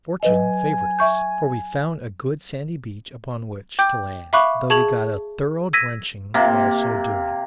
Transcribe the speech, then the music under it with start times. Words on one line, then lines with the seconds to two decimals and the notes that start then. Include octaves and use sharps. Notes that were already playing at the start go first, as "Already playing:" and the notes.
Fortune favored us, for we found a good sandy beach upon which to land, though we got a thorough drenching while so doing.
0.23 F#3 B4 D#5 G#5
0.99 E5 C#6 G6
3.79 G5 D6 G6
4.33 E5 F5 B5 C#6 D6 F#6
4.70 G#4 A5 C#6 G#6 F7 F#7
5.73 E6 G#6 A#6 B6 D#7
6.34 C3 A#3